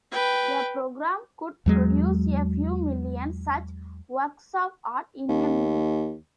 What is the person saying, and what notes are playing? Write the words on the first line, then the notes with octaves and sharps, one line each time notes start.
A program could produce a few million such 'works of art' in a minute.
B4 G5
E2 F#3 G#3
D#2